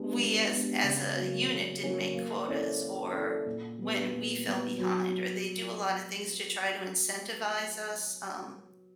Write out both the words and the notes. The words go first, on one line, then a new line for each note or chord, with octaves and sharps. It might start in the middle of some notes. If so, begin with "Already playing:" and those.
we as as a unit didn't make quotas or when we fell behind or they do a lotta things to try to incentivize us, um,
Already playing: G#3 B3 D4 G4
G#3
B3 D4 G4
C#3
F#3 A#3 C#4 F#4
C#3
F#3 A#3 C#4 F#4
A#3
C#4 E4 A4 D5
A#3
C#4 E4 A4 D5
A#2
G3 B3
A#2
G3 B3
F#3